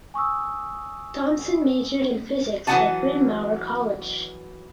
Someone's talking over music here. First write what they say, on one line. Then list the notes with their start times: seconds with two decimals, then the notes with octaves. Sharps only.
Thompson majored in physics at Bryn Mawr College.
0.14 G#5 C#6 D#6 E6
2.67 E3 F#3 B3 F#5 G#5 A5